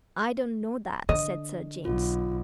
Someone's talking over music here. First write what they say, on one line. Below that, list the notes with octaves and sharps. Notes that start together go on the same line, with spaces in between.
"I don't know that," said Sir James.
D3 D#5
B1 F4